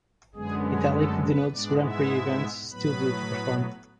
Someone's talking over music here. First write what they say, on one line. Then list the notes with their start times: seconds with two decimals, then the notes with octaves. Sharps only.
Italic denotes Grand Prix events still due to perform.
0.35 F#2 D3 G#3 B3 G#4
0.65 G#4
0.94 A3 A4
1.24 B3 B4
1.53 G#2 G#3 B3 D4 D5
1.82 E4 E5
2.71 A2 F#3 B3 B4 B5